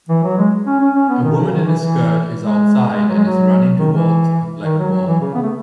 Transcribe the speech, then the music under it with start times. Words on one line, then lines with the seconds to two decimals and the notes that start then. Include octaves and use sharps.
A woman in a skirt is outside and is running toward a black ball.
0.09 E3
0.23 F#3
0.38 G#3
0.66 C#4
0.80 C#4
0.95 C#4
1.09 B3
1.23 D#3
1.38 C#3
1.51 D#3
1.65 E3
1.80 E3
2.37 G#3
2.93 G#3
3.08 F#3
3.16 G#3
3.24 F#3
3.78 D#3
3.93 E3
4.64 D#3
4.78 F#3
4.92 F#3
5.06 E3
5.20 C#3
5.34 B3
5.42 A3